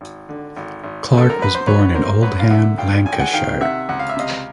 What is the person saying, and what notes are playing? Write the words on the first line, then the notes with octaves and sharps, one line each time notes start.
Clarke was born in Oldham, Lancashire.
G#1
D3
G#1
G#1
F#2
A4
A#4
F#2 B4
C5
F#3 B4 C#5
D3 A#4 C5
F#2 B4 C#5
F5
D3 E5 F#5
G#1 F5 G5
G#1 G#5
G5
F#5 G#5
D#3 F5 G5
C3 E5 F#5
C#2 F#5
F5
E5
C3 D#5 F5